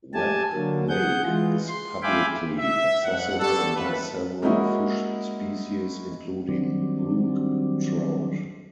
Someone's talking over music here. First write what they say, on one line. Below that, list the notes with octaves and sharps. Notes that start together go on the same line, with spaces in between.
Webb Lake is publicly accessible and has several fish species, including brook trout.
G4 G#5 A5
D3 F#3 A#3
G#4 F#5 G6
E3 G#3 F4
C6
E5 F5 G5 G#5 B5 D6
E5
F2 F#5
G3 B3 D4 F#4 A4
D#3 F#3 A3 F4 A4 B4
G#3 A#3 C#4 D#4 E4 F#4
D#3 F#3 G3 C4 D4